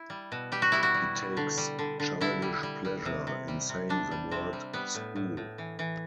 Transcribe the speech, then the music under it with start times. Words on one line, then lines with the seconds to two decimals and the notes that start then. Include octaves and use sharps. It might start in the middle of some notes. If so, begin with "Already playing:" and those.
He takes childish pleasure in saying the word 'spool'.
Already playing: E4
0.10 G3
0.32 B2
0.52 G3 G4
0.62 F#4
0.72 G3 E4
0.83 F#4
0.94 G3
1.15 G3
1.37 D3
1.58 G3
1.79 D3
2.00 D3
2.21 D3 E4
2.42 G3
2.63 G3
2.85 G3
3.05 C3
3.27 C3
3.48 G3
3.69 C3
3.89 G3 D4
4.11 G3
4.31 C3 C4
4.53 G3
4.73 G3 B3
4.95 A2
5.16 A2
5.37 A2
5.58 E3
5.79 E3